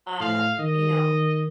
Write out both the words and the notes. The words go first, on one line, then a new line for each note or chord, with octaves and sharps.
uh, you know
A2 F5
D#3 D#5